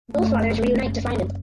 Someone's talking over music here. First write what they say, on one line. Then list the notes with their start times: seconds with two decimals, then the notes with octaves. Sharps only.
Both fathers reunite to find him.
0.11 F#1 F#2 C#3 A3